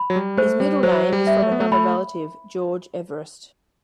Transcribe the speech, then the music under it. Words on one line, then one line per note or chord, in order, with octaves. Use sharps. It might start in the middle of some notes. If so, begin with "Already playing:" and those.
His middle name is from another relative, George Everest.
Already playing: B5
F#3
G3
A3 C5
G3
F#3 C5
G3
E5
A3
B3
A3
A3 B5